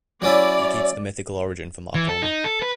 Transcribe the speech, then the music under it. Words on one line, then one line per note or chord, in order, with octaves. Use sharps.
He keeps the mythical origin for Marcomer.
F#3 C#4 E4 D5
E3
A4
D#4
A4
B4